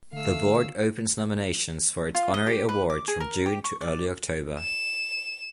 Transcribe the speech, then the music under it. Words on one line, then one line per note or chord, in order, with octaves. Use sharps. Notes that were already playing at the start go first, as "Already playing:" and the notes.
The Board opens nominations for its honorary awards from June to early October.
D3 A3 F5 E6
F4
D#5
G4
B4
D6
G#4
A#4
G4
C#6
D5
E7